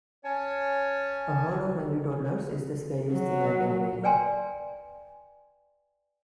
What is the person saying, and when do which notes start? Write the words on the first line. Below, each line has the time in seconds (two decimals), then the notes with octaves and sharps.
A horde of angry toddlers is the scariest thing I can imagine.
0.24 C#4 C#5 G#5 A5
3.14 F#3
4.03 B4 D5 G5 G#5 A#5 C6